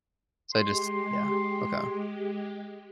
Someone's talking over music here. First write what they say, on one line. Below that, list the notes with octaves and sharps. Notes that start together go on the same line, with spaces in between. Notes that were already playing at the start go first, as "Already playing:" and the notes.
So I just Yeah, okay. I
G#3 G4 C6